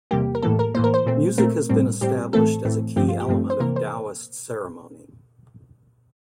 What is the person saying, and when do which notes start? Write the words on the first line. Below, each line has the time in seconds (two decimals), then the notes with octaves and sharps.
Music has been established as a key element of Taoist ceremony.
0.11 E2 C3 G3 A#3 G4
0.35 A#4
0.42 A2 E3 A#3 A4
0.59 A#4
0.74 A2 E3 A#3 C5
0.84 A#4
0.94 C5
1.06 A#2 A3 C4
1.38 A#2 A3 C4 A#4
1.69 A2 G3 C4
2.01 A2 G3 C4 G4
2.33 A2 E3 A3 C4 A4
2.65 A2 E3 A3 C4
2.96 G2 F3 A3 C4 G4
3.09 F4
3.20 G4
3.28 G2 F3 A3 C4
3.50 C5
3.60 C3 E3 A#3 A#4
3.76 C5